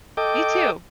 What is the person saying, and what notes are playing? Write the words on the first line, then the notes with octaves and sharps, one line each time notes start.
Me too.
A4 D#5 G5 D6